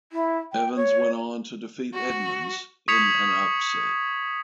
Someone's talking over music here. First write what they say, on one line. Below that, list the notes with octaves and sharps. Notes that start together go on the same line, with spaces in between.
Evans went on to defeat Edmunds in an upset.
E4
G5
C#5
F#4
C#6 D#6 G#6 B6 C#7 F7